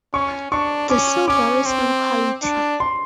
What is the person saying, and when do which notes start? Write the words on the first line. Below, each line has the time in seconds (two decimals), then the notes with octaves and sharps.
The seal varies in quality.
0.13 C#4 C#6
0.52 D4 C#6
0.90 C#4 D6
1.28 C#4 D6
1.66 C4
2.42 D4
2.80 C6